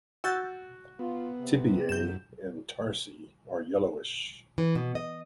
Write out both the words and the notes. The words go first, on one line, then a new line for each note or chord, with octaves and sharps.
Tibiae and tarsi are yellowish.
F#4 E6 G6 A6
B3 F4
C3
F#2 G6 E7
E3
B2
D#5